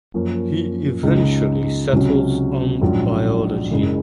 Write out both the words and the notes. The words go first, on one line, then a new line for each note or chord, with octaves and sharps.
He eventually settled on biology.
F#2 F3 A#3 C#4
C#2 C#3 G#3 D#4
C#2 C3 F#3 C#4 F#4
A#1 G#2 F#3 C#4 F4
F#1 F#2 C#3 G#3